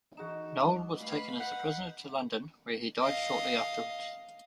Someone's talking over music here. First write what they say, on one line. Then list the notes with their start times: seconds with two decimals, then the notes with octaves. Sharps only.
Noel was taken as a prisoner to London, where he died shortly afterwards.
0.17 E3 D#4 F#4 G#4 E7
0.61 G3 D6
1.00 A3 B4 F5 B5
1.40 F#5 G6 B6 C7
3.02 D#5 F5